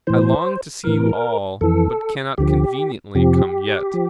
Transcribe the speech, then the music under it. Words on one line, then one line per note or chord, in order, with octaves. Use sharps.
'I long to see you all, but cannot conveniently come yet.
A2 E3 C5
A2 E3 A#4
F2 E3 A4
D2 D3 F3 G4
F2 C3 F3 G4
F3